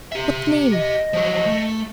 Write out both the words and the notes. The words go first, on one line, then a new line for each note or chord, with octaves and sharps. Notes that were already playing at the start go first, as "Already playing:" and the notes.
"What name?"
G4 E5
D#5
F3 F#3
A3